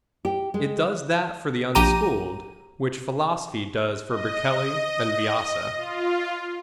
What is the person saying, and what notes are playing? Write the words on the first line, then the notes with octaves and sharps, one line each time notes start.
It does that for the unschooled, which philosophy does for Berkeley and Viasa.
G4
G#3
A#1 G4 A#5 D#7
D#5
F4